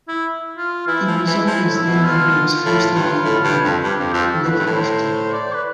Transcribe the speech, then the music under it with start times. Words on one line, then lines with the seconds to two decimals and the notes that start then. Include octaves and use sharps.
The result was Lindenberg's first live album "Livehaftig".
0.08 E4
0.58 F4
0.87 E3 E4
1.07 F3
1.17 E4
1.27 E3
1.46 F3 E4
1.67 A2
1.77 E4
1.87 B2
2.06 F4
2.66 A2
2.95 G2
3.24 A2
3.44 G2
3.64 F2
3.84 G2 G4
3.99 F2
4.13 F2 A4
4.44 B2 B4
4.51 A2
4.59 G2
4.67 A2
4.74 C5
5.03 C5
5.33 D5
5.54 B4